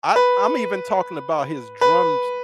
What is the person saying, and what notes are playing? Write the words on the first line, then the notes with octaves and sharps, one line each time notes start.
I I'm even talking about his drums
B4
B4